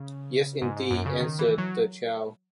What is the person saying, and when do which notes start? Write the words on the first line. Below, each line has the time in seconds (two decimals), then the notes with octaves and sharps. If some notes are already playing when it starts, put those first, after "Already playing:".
"Yes, indeed;" answered the child.
Already playing: C#3
0.62 G#2
0.77 G#2
0.90 F#2
1.06 C#3
1.20 D#3
1.39 E3
1.58 F#3